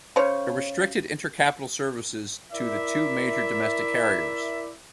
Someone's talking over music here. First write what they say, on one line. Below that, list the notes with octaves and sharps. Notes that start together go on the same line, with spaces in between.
It restricted intercapital services to the two major domestic carriers.
C#3 C5 C#5
E4 A#4 D5 E5